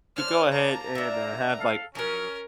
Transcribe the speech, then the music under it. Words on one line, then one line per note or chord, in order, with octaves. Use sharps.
You go ahead and, uh, have, like
C#4 D4 C5 F6
A#3 A5 A#5
A#3 D4 A#4 E5
A4 F5
F3 F#3 C#4 A#4